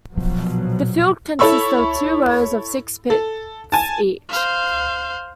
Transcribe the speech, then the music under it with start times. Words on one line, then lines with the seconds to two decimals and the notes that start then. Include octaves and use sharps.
The field consists of two rows of six pits each.
0.13 A#1 B2 F3 F#3
1.39 E4 A4 C#5 B5 C#6 E6
3.10 A4
3.72 G#5 A5
4.29 C5 F5